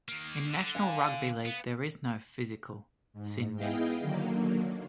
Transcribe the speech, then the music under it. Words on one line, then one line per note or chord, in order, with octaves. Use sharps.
In the National Rugby League, there is no "physical" sin bin.
D#3 A#3
D3
F5 G#5
B3
G#2
B3 E4 G#4 D#5 F5 G5
D3 D#3 F#3 A#3